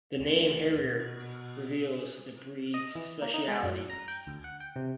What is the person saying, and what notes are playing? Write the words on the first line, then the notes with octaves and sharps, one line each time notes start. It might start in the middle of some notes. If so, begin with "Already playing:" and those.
The name, Harrier, reveals the breed's specialty.
D2
B2
D#5
E3
A#3
D#4
G#3
F#2
A#5
G5
D2
F#5
G5
C3